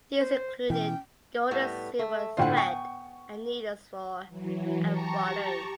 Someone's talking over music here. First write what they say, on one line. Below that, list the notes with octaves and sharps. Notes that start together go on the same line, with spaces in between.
These included gold and silver thread and needles for embroidery.
C5
B2 E3 C#4 G5
A2 G3 B3
A3
A2 D3 F4 C5 F#5
B3 G5 G#5 C#6
E3 F#3
G4 A5 A#5 C#6